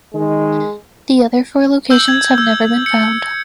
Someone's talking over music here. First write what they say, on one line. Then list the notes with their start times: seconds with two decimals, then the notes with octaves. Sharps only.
The other four locations have never been found.
0.14 D#3 G#3
1.90 E6 G6 F#7
2.08 G#6
2.38 E6
2.86 C#7